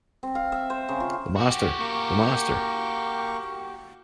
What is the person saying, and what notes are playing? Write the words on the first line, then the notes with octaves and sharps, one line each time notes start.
The Master, the Master!
C4
F5
E5
C5
C#3
F4
F#4 G4
A#3 C#6 D6